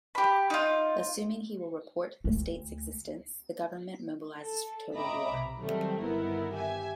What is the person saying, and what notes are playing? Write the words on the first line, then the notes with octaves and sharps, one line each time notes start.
Assuming he will report the state's existence, the government mobilizes for total war.
G4 B5
D#4 F4
D2 A3
A4
C4 D#5 E5 A#5 B5 D6
B1 C3
D#3 F#3 G3 A3 C4
G1 D#3 B3 E4 A#4
G4 E5 G#5